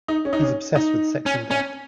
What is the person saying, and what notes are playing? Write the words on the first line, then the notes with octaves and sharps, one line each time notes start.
He's obsessed with sex and death.
D#4
C#4
D#4
C#4
D#4
C#4
C#4